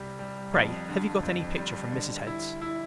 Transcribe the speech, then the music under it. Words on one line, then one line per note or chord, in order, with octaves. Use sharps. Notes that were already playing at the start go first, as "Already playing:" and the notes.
Pray, have you got any picture from Mrs. Head's?
Already playing: C2 C3 G3
G3
F2
D3
F2
G3
D3
E4
E4